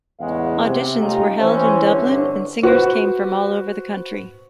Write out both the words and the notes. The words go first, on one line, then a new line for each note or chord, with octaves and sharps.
Auditions were held in Dublin and singers came from all over the country.
E2 A2 C#3 G#3 F5 F#5
C3
A3 C#4 D#4 F4 G4
E3 C#4 C5
G1 E2 D3 C4 C#4 C#5
F#4 B4 C5